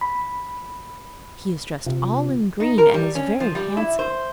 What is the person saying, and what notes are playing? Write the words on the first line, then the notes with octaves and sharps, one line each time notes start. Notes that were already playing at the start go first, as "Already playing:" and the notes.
'He is dressed all in green, and is very handsome.
B5
C3 F4
D#4
A#4
G3
C#4
F3
G3
E4
C5